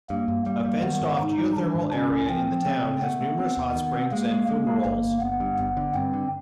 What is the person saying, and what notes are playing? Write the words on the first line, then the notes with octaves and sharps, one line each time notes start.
A fenced-off geothermal area in the town has numerous hot springs and fumaroles.
G2 A#3
G2
G3 A#3
G3
D#3 B3
G#2
G#2 D#4
G3
D#3 D4
G#2
C#3 C#4
C#2
F3 C4
F3
A3 C4
C#3
A3 B3
A3
C4
D#2
D#3
C4
G#3 A#3
G#3
G#3 A#3
G#3
G1 A#3
G1
G1 B3
G2
G1 B3
D3
G2 C4
D3